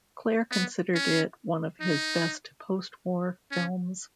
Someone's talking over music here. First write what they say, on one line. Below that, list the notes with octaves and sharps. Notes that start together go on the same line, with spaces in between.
Clair considered it one of his best post-war films.
B3
C#4
D#4
C#4